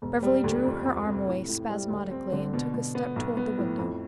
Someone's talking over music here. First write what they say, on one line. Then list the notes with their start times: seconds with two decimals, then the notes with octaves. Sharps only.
Beverly drew her arm away spasmodically and took a step toward the window.
0.02 E1
0.23 G3
0.44 D2
0.65 F2
0.85 F2
1.07 C3
1.28 A2
1.48 A2
1.70 G3
1.90 D2
2.11 C4
2.32 D3
2.53 B2
2.74 B2
2.95 B3
3.16 B1
3.37 B3
3.58 A2
3.79 F2